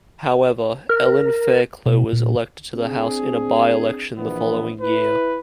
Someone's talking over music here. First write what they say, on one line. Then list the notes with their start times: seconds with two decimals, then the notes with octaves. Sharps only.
However, Ellen Fairclough was elected to the House in a by-election the following year.
0.89 A#4
1.86 B2
2.13 A#2
2.74 C4 D4 G#4
4.18 A#1 E2 E3 B3
4.81 E4 B4